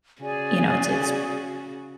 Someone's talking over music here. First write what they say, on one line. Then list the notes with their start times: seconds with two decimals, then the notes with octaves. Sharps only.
you know, it's it's
0.22 C#3 F#4 G#4 D5 G#5